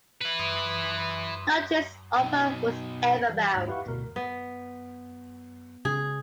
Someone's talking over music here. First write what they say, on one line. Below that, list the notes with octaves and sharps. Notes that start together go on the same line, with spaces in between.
No trace of her was ever found.
E4 B4
B2 D#4
E3 G3
D#2 G#2
E4 G4 B4 F5 F#5 C#6
D2 B2 A#4
B3
C#3 G#4